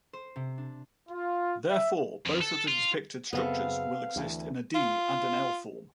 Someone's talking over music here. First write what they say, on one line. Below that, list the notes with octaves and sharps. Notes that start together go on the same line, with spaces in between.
Therefore, both of the depicted structures will exist in a D- and an L-form.
C5
C3
D4
F4
E5
F2
A4
F4
F#2 C#3 B3 C4 A4 F5
D2 E3
F4